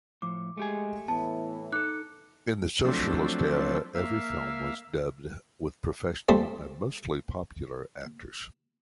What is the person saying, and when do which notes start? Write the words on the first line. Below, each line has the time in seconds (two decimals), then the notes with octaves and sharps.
In the socialist era, every film was dubbed with professional and mostly popular actors.
0.22 A2 F3 D6
0.58 G#3 A3 G4 G#5
1.08 A2 E3 B3 A5
1.72 D#4 A4 D6 F#6
2.85 F3 F#3 A3 C4 D4
3.95 A#3 E5 F5
6.29 G3 A3 C4